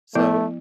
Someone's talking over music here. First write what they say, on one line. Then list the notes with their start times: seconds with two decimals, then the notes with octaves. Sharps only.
So i
0.15 F3 A3 B3 E4